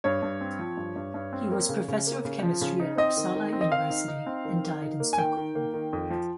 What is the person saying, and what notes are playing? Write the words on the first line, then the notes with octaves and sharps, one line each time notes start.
He was professor of chemistry at Uppsala University, and died in Stockholm.
G2 C#5
G2
C4
F3
G2
G2
G2
C4
A#3
C#3
C#3
A#3
C#3
F3
C#3
D#4
C4 D#5
D#3
D#3
C4
D#5
D#3 F5
D#4
D#4
C4
D#3
D#3
D#4
A#3
G#5
D#3 G5
D#3
A#3
D#3
F2
F3